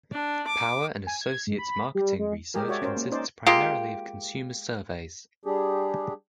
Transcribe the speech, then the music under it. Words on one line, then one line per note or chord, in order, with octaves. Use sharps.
Power and Associates' marketing research consists primarily of consumer surveys.
D4
D6
G#5
G#6
G#2
B5
G3
G#3
G#3 G4 G#4 A#4
F#4 C#5 D5 E5
C#4 A#4 C5
A#3
C#4 D#4 C5 D5
G#3 A#3 F4 G4
G3 D4 G4 G#4